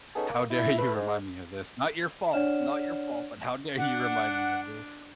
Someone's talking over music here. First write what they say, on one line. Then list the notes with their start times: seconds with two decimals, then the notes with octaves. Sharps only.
"How dare you remind me of this? Not your fault. Not your fault, but how dare you remind me of this?"
0.15 B3 C#4 D#4 G#4 A4
0.29 A#3
0.50 E4
0.78 A3 B4
0.95 G#2
2.33 D4 C#5 D5 F#5 F6 E7
3.78 D4 F#5